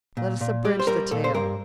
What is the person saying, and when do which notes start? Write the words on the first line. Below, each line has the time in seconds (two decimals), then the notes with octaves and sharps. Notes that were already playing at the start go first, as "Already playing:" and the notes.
Let us abridge the tale.
0.17 A#2
0.41 A#2
0.65 G3 D5
0.79 C5
0.87 G3 A#4
1.11 A#2 A4
1.24 C5
1.34 G2 A#4